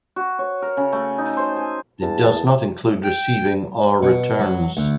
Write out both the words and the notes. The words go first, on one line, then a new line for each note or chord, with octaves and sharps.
It does not include receiving or returns.
F#4
C#5
A#4
C#3
A3
D#4
C5
G#5
E2 A5
G5
B2
F#3
D2